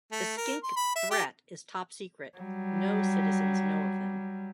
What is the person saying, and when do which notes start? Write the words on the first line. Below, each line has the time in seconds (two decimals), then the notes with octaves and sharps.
The Skink Threat is top secret, no citizens know of them.
0.12 A3
0.37 A#4
0.63 C6
0.77 B5
0.96 E5
1.11 G4
2.38 F#3 G3